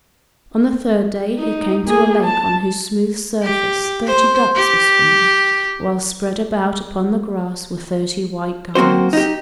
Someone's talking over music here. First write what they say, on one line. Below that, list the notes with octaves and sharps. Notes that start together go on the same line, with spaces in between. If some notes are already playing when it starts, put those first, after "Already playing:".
On the third day he came to a lake on whose smooth surface thirty ducks were swimming, while spread about upon the grass were thirty white garments.
D#4
A#3 G#4
A5
G4
C5
G4
F#3 A#3 C4 F#4 C5
D#4 G4